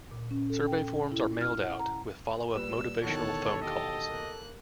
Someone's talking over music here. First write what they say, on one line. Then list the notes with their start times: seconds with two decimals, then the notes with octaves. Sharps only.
Survey forms are mailed out, with follow-up motivational phone calls.
0.11 A#2
0.31 C#4
0.50 A4
0.67 G5
1.12 E4
1.41 F6
1.63 F#5
1.80 A#5
2.55 A#2 G3 B4 E6
3.03 E2 B2 D#3 A4 C#5 A5 F#6
3.63 G4 D#5
4.07 A#3 F#6